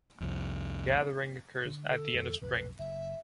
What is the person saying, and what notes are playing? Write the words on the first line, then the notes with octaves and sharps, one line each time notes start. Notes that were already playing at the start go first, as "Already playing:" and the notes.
Gathering occurs at the end of spring.
C2 F2
D3
A4
F2 D#3 G#3
B1 F2 A2 B4
F#1 E5